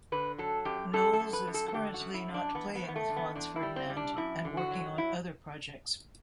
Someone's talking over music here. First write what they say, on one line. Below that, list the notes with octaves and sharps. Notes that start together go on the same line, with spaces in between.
Knowles is currently not playing with Franz Ferdinand and working on other projects.
D3 B4
F#3 A4
F#2 G4
F#2 A4
A4
F#2
B4
F#2
A4
A4
D3 G4
F#4
F#2
E4
F#2
D4
E2 B3
B3
E2
B3
A3
D3
B3
E2 D4
E4
G3
C4
G3
D4
F#2 E4
D3
F#4
F#3
E4